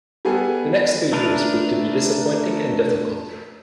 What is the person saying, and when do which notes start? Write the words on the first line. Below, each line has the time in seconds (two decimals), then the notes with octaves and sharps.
The next three years proved to be disappointing and difficult.
0.25 G3 B3 G#4 A4
1.13 A3 D4 A#4 B4